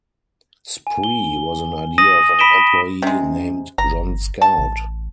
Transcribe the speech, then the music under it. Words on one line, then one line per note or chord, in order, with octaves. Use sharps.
Spree was an idea of an employee named John Scout.
G#5
G7
D#6 A#6 D#7 F#7
B5 B6 D7 E7 G7
C3 G#3 C#4
G1 A#5
A5
A1